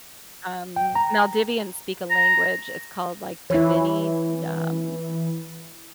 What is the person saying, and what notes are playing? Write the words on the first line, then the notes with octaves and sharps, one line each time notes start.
Um, Maldivians speak a language, it's called, like, Dhivehi, d um
G5
A#5
A#5
E3 E4 C#5